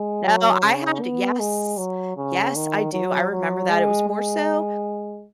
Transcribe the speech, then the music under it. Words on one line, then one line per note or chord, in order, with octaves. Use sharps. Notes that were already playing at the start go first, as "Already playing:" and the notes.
No, I had yes, yes, I do. I remember that it was more so
Already playing: G#3
F#3
C#3
B3
G#3
F#3
C#3
D#3
F#3
F#3
G#3
G#3